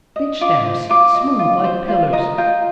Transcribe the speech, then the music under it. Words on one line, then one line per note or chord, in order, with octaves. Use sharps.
Beech stems, smooth, like pillars.
D#5
F4 D6
C5
F4 D6
D#5
F4
C5
F4
D#5 A#5
F4 G5